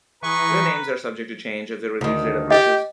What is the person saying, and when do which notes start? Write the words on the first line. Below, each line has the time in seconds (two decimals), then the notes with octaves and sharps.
The names are subject to change as their release date approaches.
0.22 E3 G#4 B4 A#5 C6 C#6
2.01 D2 D#3
2.51 G4 D#5